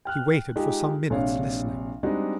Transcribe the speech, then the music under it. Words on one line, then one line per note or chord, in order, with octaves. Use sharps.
He waited for some minutes listening.
G5 F6 F#6
G#3 D#4 F4 G4 G#4
A#1 C3 D4 C#5 F5
G3 G#3 C4 D4 D#4 F#4